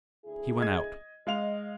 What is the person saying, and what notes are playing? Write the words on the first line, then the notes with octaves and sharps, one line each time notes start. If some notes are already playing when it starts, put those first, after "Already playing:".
He went out.
D2 E4 G#4
D#5 G#6
G#3 D#5 F5 F7